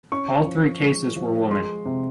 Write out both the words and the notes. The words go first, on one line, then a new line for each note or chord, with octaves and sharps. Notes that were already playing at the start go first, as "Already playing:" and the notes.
All three cases were women.
C#4 C#6
F3
G#3
F3
G#3 C6
C3